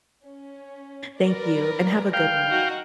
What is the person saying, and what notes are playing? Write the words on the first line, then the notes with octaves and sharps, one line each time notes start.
Thank you, and have a good one.
C#4
A#4 B4 D5
F5 G5
D#4 F#4